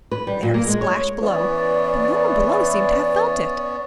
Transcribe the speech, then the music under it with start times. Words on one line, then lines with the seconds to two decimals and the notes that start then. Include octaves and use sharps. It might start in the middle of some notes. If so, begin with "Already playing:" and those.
They heard a splash below, but no one below seemed to have felt it.
0.11 B4
0.27 G3
0.43 A#2
0.54 A#3
0.67 G#3
0.81 C#5
1.22 E3 B3 C#4 D5